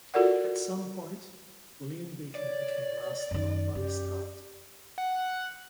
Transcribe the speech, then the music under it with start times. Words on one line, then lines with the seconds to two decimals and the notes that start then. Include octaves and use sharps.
At some point William Beacon became master of "Vansittart".
0.14 F4 F#4 A4 A#4 D5 F#5
2.35 C#5 D5
3.31 F#2 D#3
3.75 F#2 G4
4.98 F#5